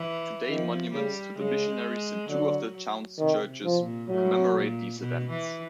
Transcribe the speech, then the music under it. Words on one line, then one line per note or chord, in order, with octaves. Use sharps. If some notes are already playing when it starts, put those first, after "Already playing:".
Today monuments to the missionaries in two of the town's churches commemorate these events.
Already playing: E3
D#3 F3
C#3 G3
C#3 G#3
D3 F#3
C3 D#3
F3
A#2
A2 F#3
A#2
B2
E3